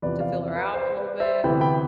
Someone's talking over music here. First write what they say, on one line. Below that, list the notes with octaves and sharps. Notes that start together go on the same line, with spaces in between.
to feel her out a little bit,
E2 C3 F3 B4 D5
D5 F5
B4
C5
B4 D5
C5 E5
D2 C3 E3 B3 E4 G5 B5
G5 B5